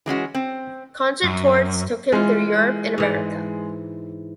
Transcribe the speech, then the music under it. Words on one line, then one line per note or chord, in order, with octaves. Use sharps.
Concert tours took him through Europe and America.
E3 G#3 C#4 F#4
C4
F#2
E3 G#3 F4
G#2 E3